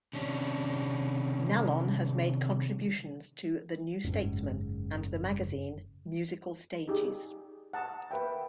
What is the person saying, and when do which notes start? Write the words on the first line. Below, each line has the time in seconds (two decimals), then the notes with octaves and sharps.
Nallon has made contributions to "The New Statesman" and the magazine "Musical Stages".
0.13 C3 D#3 C#4 D4
4.05 F#1 G#2 G#3 C#4
6.88 D#4 G4 G#4
7.73 F#5 A5 A#5 D#6
8.11 A#4 B4 E5 G5